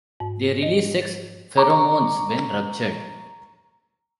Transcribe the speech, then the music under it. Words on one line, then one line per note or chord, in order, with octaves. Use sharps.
They release sex pheromones when ruptured.
G#2
D#5
A6
A#5 C#6 D6